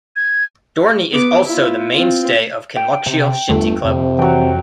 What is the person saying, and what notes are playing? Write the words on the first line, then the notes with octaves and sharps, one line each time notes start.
Dornie is also the main stay of Kinlochshiel Shinty Club.
G#6
B3 D6
E4 F4
C4 F4
G5
C3
G1 E2 D3 A3
F2 C3
E3 F#3 G5